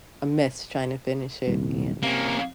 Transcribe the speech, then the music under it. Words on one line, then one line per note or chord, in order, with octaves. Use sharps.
a mess trying to finish it, and
D#1 C2
C3 A#3 C#4